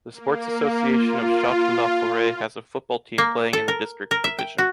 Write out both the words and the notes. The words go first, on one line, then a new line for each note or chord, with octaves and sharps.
The Sports Association of Châtres-la-Forêt has a football team playing in the district division.
A#3
F4
A#3
A4
A#4
A#4
E5
G5
F#4